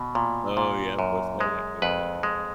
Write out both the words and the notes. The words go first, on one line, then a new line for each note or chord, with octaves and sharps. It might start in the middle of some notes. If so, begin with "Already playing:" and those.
Oh, yep, "What's that land over there?" Yeah.
Already playing: B2
A#2
A#2
F#2
G#3
F2 B4
G#3